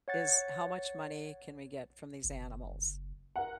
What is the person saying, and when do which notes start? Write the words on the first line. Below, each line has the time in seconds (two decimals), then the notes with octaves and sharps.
is how much money can we get from these animals,
0.08 C#5 F#5 A6
2.24 F#1
3.36 A#4 F#5